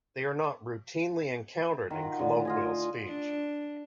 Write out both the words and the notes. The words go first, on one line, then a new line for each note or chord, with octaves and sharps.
They are not routinely encountered in colloquial speech.
D#3 F4 F#4
A2 D3
F4 D#5 G#5
D4